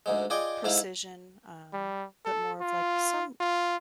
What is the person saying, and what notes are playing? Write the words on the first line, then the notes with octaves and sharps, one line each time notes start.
precision, um, but more of, like, some
D2 G#2 G#3
F4 G#4 D5 D#5 G5
G#2 A3 E4 F5
G3
A4
F4
F4